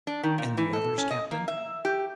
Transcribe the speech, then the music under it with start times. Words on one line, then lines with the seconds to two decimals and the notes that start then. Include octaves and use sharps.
"And the others, captain?"
0.07 D4
0.23 D#3
0.38 A#2
0.58 E3
0.73 A4
0.98 C#4
1.10 D#5
1.32 A#3
1.48 E5
1.85 G4